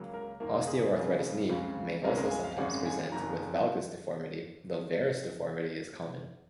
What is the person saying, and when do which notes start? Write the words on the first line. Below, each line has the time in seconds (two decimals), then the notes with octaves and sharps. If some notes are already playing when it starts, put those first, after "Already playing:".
Osteoarthritis knee may also sometimes present with valgus deformity though varus deformity is common.
Already playing: C#2 C#3 F#3 A#3
0.14 A#4
0.40 F#2 D#3 A#3 A#4
0.68 G#4
0.94 F1 F2 C#3
1.49 C#2 C#3 F#3 C4
2.03 C#2 C#3 G#3 C4 A#4
2.17 A#4
2.31 G#5
2.44 F5
2.57 G#1 F#2 C#3 G#3 C4 F#5
2.85 G#5
3.12 F#1 F2 D#3 A#5